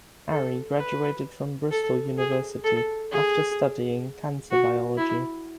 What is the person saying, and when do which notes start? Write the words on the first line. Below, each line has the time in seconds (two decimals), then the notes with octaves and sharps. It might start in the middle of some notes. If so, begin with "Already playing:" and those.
Aryee graduated from Bristol University after studying cancer biology.
0.32 A4
0.77 B4
1.71 A4
2.18 G#4
2.64 A4
3.11 G#4
4.51 F#4
4.97 E4